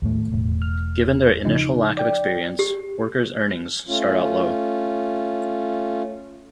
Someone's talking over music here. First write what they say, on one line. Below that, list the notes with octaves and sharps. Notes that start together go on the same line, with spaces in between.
Given their initial lack of experience, workers' earnings start out low.
D#2 A2 A3
E1 A2
F6
C#3 F3 D#4
D5 G5
G4
A3 C#4 F4